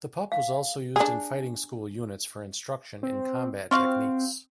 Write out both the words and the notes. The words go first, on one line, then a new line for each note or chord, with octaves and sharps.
The Pup was also used in Fighting School units for instruction in combat techniques.
F5
D4 G#4
C4
C4 F4 F#4 F5